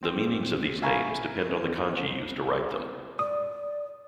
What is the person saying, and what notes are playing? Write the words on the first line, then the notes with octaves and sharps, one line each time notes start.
The meanings of these names depend on the kanji used to write them.
C4
E5 F5 G#5 A#5 B5 C#6
D5 D#6